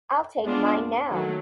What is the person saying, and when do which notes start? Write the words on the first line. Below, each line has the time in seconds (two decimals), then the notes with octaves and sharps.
I'll take mine now.
0.44 G#3 B3 D4 F4
1.09 D#3 F#3 A3